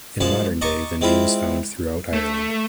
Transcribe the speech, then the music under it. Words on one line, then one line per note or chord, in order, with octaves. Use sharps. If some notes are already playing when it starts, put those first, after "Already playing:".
In modern day, the name is found throughout Ireland.
F#2 F3 G#3 F5 A5
D#5 A5 A#5 C#6 D6
G#3 C4 E4 F4
A3